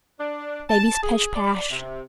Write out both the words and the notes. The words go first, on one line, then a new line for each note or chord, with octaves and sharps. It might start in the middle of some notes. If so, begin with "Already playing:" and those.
Baby's Pesh-Pash.
D4
A5
G#4
D5
C3